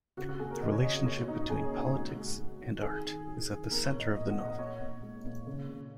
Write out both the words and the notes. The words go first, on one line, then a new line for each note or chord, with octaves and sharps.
The relationship between politics and art is at the center of the novel.
C#3 F#4
F#4
A#3 G#4
A#4
C#3 D#5
C#5
C#3 D#5
D#5
A#3 C#5
F#4
A#2 D#4
D#4
A#3 G#4
C#4
A#3
D#4
G#3 F#4
G#3
G#3
D#3
D#3 G#4
D#3
F#3
D#3
A#3 A#4
C#5
A#2
D#5
F#3 D#5
F#5
A#2
D#5
A#2 C#5
A#2
G#3
A#2
C#3
C#3